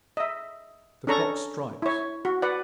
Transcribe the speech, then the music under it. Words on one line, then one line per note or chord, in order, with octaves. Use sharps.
The clock strikes!
D#5 E5
C#4 D4 A4 A#5 C#6
E4 C#5
F#4
B4 D5 F#5